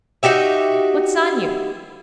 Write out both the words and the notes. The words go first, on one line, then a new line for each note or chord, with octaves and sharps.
What's on you?
D#4 F#4 G4 E5